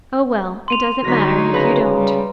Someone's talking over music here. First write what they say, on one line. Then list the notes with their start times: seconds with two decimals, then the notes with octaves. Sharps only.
"Oh, well--it doesn't matter--if you don't."
0.68 C6 D#7 F7
1.04 D3 F#3 D#4 A#6 B6
1.54 C#3 B4 A#5
1.96 G3